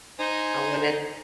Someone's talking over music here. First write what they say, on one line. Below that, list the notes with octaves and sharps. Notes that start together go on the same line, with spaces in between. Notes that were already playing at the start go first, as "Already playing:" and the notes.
I wanted
D#4 C5 G#5